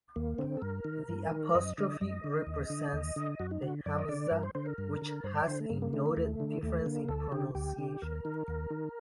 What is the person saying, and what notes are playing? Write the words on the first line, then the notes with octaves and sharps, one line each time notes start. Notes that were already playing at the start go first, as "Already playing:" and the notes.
The apostrophe represents the hamza, which has a noted difference in pronunciation.
D#2 A#3
D3 C4
A4
G2 A#4
D#3
G2
D#3
F#2 D#5
D3 D#5
F#2 D#5
D3
D#2
D3
D#2
D3
F#2 F#4
D#4
D3 F#4
F#2 D5
D#5
D3 D5
G2 A#4
C5
D3 C5
A#4
G2
D3
G2 C5
D5
D3 C5
A3
G2 A#3
A#3
D3 A3
A#3
D#2 A3
D3
D#2 A3
D3 A#3
D2 A4
D3 G4
D2 G4
D3
D#2 A#4
D#3
D#2
D#3